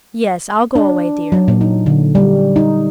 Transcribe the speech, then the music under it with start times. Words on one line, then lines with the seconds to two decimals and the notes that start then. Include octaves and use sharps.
'Yes, I'll go away, dear.
0.75 D4
1.32 F#3
1.48 A#2
1.61 D#4
1.86 D3
2.15 G3
2.56 D#4